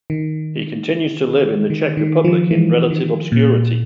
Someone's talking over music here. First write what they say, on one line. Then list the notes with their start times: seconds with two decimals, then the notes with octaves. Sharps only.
He continues to live in the Czech Republic in relative obscurity.
0.10 D#3
1.70 D#3
1.97 D#3
2.25 F3
2.51 E3
2.90 D#3
3.32 A#2